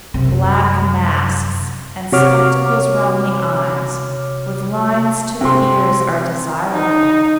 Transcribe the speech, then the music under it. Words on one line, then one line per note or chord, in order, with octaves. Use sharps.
Black masks, and spectacles round the eyes, with lines to the ears, are desirable.
F#2 C3
C3 F#4 C#5 D6 F6
C3 C4 C6
D#4